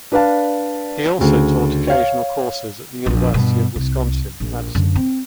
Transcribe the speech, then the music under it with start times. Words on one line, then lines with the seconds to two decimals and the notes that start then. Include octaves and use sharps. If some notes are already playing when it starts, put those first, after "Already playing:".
He also taught occasional courses at the University of Wisconsin-Madison.
0.12 D4 B4 D5 F5 A5
1.19 D2 C#3
1.87 C#5 F5
3.06 A#1 F2
3.34 G2 B2
3.76 C2
4.40 A#1
4.75 F#2 D3
4.96 C4